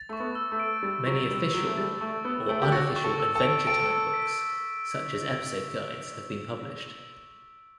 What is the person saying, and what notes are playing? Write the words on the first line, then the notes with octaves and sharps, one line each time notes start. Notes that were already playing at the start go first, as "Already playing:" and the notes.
Many official or unofficial "Adventure Time" books such as episode guides have been published.
Already playing: A6
A3 C#6
B3
E6
A3
D7
G3 A6
F#3 C#6
G3 E6
F#3 D7
A3
G3 A6
A3 C#6
B3 E6
A3 D7
G4
F#4 A6
C#6
A4
E6
A4
D7
A4 D7
E6
B6